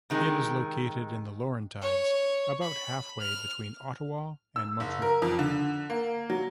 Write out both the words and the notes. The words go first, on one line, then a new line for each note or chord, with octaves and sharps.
It is located in the Laurentides, about halfway between Ottawa and Montreal.
C3 D#3 G#3
C#5
B5
F6
E6
F#1
A#4
F2
D3
A#3
F#3